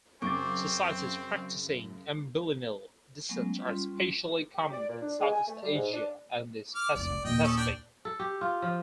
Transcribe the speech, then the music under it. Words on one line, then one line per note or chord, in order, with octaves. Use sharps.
Societies practicing ambilineal descent are especially common in Southeast Asia and the Pacific.
F#2 C#3 C4 G#4 C#6 D6 A6
F#3 G#3 A3 B3 C#4
G3 C#4 F4 C6
G4
D5
A#2
D4
G#3
G#5
A3
G3
G#2
D4
D6 F6
F1 E3 D5
G#3
D#2 A#2 D#5 G5
C#4 A4 D#6
D4 D5 G5
A4
G4
F4
F3